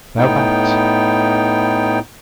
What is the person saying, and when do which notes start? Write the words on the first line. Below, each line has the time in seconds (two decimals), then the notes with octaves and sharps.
Thou bat!
0.18 A2 B3 D#4 G5